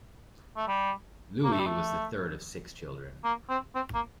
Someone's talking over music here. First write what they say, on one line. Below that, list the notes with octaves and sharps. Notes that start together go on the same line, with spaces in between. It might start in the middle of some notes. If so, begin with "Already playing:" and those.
Louis was the third of six children.
A3
G3
A#3
A3
G3
A3
A#3
C4
C4
A#3